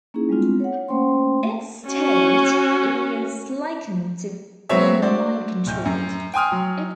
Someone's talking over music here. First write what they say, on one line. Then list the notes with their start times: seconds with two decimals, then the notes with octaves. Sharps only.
Its state is likened to being mind controlled.
0.14 A#3 C#4 D#4 E4 G#4
0.29 G3 G#3 B3 C4 D4 F4
0.60 C#5 F#5
0.88 A3 A#3 C#4 C5 G5 C6
1.89 C#4 F#4
4.69 F#3 G#3 B3 C4 C#5 E5
5.02 D4 F#4 C5 D5
5.67 D1 G6
5.85 F#2
6.34 G5 G#5 C6 D#6 F6
6.52 F#3